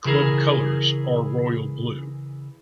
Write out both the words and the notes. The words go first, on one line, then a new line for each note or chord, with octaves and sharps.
Club colours are royal blue.
C#3 E3 G#4 A#4